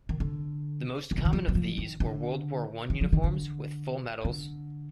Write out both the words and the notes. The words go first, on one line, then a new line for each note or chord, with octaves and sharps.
The most common of these were World War One uniforms with full medals.
D#3
D3
D#3
D3
D#3
F3
G3
F3
D#3
D3
D#3
F3
D#3
D3
D3